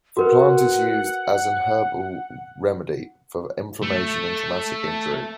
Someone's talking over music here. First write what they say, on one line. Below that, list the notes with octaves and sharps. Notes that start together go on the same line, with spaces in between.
The plant is used as an herbal remedy for inflammation and traumatic injury.
F#4 A#4 B4 F#5
A3